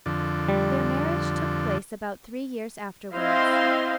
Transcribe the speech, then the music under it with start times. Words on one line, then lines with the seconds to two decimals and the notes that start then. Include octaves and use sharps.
Their marriage took place about three years afterwards.
0.06 F2 D3
0.49 G3
3.14 C4 E4 C5 D#5 F5 C6